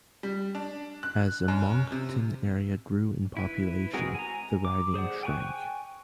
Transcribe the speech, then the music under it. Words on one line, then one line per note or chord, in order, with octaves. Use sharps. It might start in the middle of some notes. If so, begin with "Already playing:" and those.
As the Moncton area grew in population, the riding shrank.
G3
D4
F#6
F#2
C3
E4 B4
G#3 C4 F#4 G#4 A#4
G#5 A#5
D6
G#4 C5 D5 F#5
G5 G#5 A#5 C#6 F#6